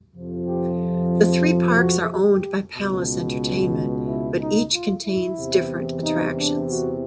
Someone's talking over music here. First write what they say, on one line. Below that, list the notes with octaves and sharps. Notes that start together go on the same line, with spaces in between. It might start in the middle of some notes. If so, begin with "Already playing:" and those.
The three parks are owned by Palace Entertainment but each contains different attractions.
F2 C3 F3
G4
F#4
G4
C#2 B2
E4
D#4
F4
E4
E2 C3 E3
D#4
D4
F#4